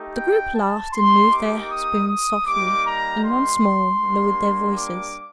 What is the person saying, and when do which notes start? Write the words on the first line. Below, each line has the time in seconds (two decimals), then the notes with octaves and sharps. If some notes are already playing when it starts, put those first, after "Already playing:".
The group laughed, moved their spoons softly, and once more lowered their voices.
Already playing: A3 D#4 G4
0.15 G5
0.55 A5
0.93 A#3 D#4 G4 C6
1.31 D6
1.70 D#6
2.08 D#6
2.46 G3 A#3 D#4 G4 D6
2.85 A#5
3.23 C6
3.99 G3 A#3 D4 G4
4.77 D6